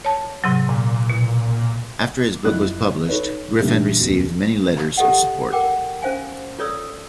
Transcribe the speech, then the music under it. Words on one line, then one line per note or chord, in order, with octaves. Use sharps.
After his book was published, Griffin received many letters of support.
C#5 A5
G#2 C3 F#3
A#2
B2
F#1 E4 F4 D#5 F#6
D#4 A4 B4 C#5
A#2 D3 E3 G3 A#3
E1 C#2
F4 G4 A4 D#5 F5 F#5
A#4 F#5 G5 D6
C#4 C5 F5 G#5
F4 A4 C#5 D5 D#6 E6